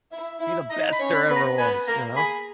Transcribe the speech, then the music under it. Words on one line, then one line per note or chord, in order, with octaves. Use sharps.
Be the best there ever was, you know?
E4 E5
E4 E5
D#4 D#5 A#5
B5
C#4 C#5
B5
B3 B4
A#5
B3 B4 G#5
A#3 A#4 A#5
G#4 B5